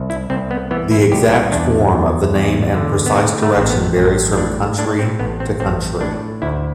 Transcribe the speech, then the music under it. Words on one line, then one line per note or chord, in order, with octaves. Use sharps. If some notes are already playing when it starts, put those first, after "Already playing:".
The exact form of the name and precise direction varies from country to country.
Already playing: C2
E4
C2 C4
B3
E3 B3
E4
C2 G4
E4
E2 D4
E2
E2
D3
B3
A2 C4
A3
A1 C4
B3
A1
A2 D4
A2 D4
C4
A1 B3
C4
A1 C4
A2 D4
D2 E4